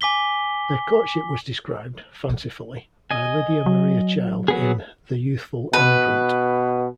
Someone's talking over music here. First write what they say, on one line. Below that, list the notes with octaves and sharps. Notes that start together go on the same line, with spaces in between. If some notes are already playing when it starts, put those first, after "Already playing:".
Their courtship was described, fancifully, by Lydia Maria Child in The Youthful Emigrant.
G#5 D6 B6 G7
D#5 G#5
F#3
F#3 B3 G#4
B2 B4